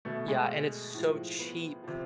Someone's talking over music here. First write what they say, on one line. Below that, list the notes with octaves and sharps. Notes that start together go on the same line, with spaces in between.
Yeah, and it's so cheap.
B2 A3
G#3
A2 F3
B3
C3 F3